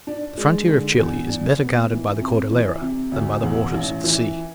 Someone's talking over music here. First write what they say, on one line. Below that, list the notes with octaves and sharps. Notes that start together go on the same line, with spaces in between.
The frontier of Chile is better guarded by the Cordillera, than by the waters of the sea.
D4
G#3
D3
E2
D4
B3
E3
C3
E3
C3
D2
E1
A1
E3